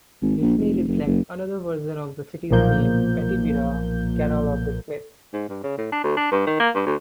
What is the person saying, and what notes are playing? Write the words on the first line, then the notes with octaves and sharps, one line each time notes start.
This may reflect another version of the city's name, Patibira, "Canal of the Smiths".
G#1
A#1
F1
F#1
F#1
B1 A#2 F3 A#3 G6
G#2
G2
C#3
A2
D4
D2
D4
G2
D#3
A#3
G2
D2